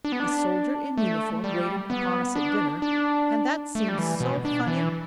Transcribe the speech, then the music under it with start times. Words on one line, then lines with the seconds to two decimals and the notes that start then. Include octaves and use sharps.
A soldier in uniform waited upon us at dinner, and that seemed so funny.
0.05 D4
0.12 B3
0.20 D4
0.98 A3
1.44 G3
1.90 B3
2.35 D4
2.82 D4
3.75 A3
3.89 G3
3.99 E3
4.20 B2
4.45 D4
4.67 E3